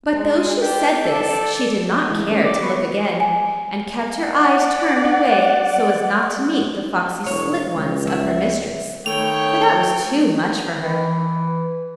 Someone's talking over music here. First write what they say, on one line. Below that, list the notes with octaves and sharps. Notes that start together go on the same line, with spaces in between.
But though she said this she did not care to look again, and kept her eyes turned away so as not to meet the foxy slit ones of her mistress, for that was too much for her.
G#3
D4 G4
A4 D5
E3 G#3
A#3 C#4 G#4
G3 D5
B3 B4 C#6
G#5
D5 F#5
E1 C#5
C#2
E5
D#3 A3 B3 C#5 G5 F7
E3